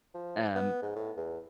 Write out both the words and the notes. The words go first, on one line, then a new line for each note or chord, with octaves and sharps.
t um,
F3
B3
G#2
A2
E2